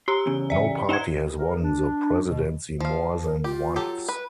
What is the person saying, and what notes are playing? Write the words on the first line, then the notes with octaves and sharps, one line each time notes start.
No party has won the presidency more than once.
G4 A#5 C6
E2 C#3
D5 E5
D#4 C5 F#5 A#5 G#6
A#4
D4
B2
F3 F5
A#4
F4 G4
F#3 G4 A4
B4